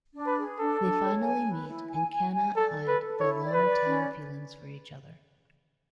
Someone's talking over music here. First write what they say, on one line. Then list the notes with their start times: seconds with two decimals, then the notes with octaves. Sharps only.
They finally meet and cannot hide their long-time feelings for each other.
0.15 D4
0.27 B4
0.37 G#4
0.59 D4 A4
0.81 D4
1.03 C#5
1.24 G#5
1.47 B4
1.68 E4
1.90 G#5
2.12 G#5
2.34 G#5
2.55 A4 D5
2.77 A4
2.88 B4
2.99 A4
3.20 E4 C#5
3.42 D5
3.53 B4
3.64 D5
3.86 C#4